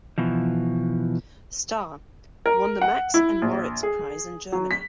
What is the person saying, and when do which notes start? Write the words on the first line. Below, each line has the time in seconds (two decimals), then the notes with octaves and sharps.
Star, won the Max and Moritz Prize in Germany.
0.18 B2 E3 F3
2.46 A#4
2.81 F#5
3.14 E4
3.42 A#1
3.83 G#4
4.52 F#3
4.71 B6